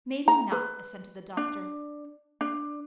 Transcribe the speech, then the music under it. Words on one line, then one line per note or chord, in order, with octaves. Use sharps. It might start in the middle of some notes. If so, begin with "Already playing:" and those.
"Maybe not," assented the doctor.
A#5
B4
D4
D4